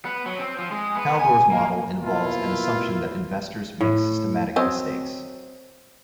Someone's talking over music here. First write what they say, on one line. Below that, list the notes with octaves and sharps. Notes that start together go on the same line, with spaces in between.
Kaldor's model involves an assumption that investors make systematic mistakes.
B3
F#3
C4
F3
G#3
B3
G#5
A#3
B2 A#3 E4 F4
A2
F#3 C4 D#5